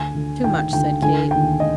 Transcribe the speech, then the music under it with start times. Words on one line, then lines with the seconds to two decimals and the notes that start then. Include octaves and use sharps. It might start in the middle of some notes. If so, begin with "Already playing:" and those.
"Too much!" said Kate.
Already playing: D2 G#5
0.15 D2
0.44 D#3 G5
0.73 D2 G5
1.02 D3 G#5
1.31 D#2 G5
1.60 D#5